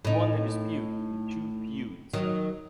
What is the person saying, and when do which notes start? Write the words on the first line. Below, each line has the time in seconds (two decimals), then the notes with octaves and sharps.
He won the dispute in two feuds.
0.05 A2 D#4
2.13 D#3 F#3